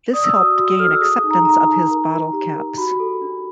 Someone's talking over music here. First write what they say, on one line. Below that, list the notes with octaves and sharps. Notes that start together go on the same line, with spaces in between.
This helped gain acceptance of his bottle caps.
D5 D#6
E6
F#4 D#6
F#4
A4 F6
E6
G#4 D#6
D#4
A#5
D#4 A#5
D#4
A#4
A#4
G4
A#4
F#4 B5
A4
D4